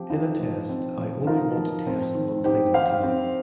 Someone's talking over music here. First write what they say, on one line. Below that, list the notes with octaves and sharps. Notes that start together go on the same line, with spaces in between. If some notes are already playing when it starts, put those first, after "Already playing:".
In a test, I only want to test one thing at a time.
Already playing: F3 C4 G4
D#4 F4
F3
C4
F3
D#4 F4 A#4
F3
C4
D#3
D#4 G4 C5
D#3 C5 F5
C4